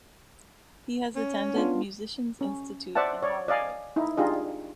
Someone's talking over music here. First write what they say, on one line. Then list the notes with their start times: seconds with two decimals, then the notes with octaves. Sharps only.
He has attended Musicians Institute in Hollywood.
1.16 C#4
1.54 B3 D4 F4
2.41 C#4
2.95 C5 D5 E5 F#5 A5
3.22 C#5 D5
3.48 D5 D#5 F5 G#5
3.96 D#4 E4
4.17 D4 D#4 F4 G4 G#4 D#5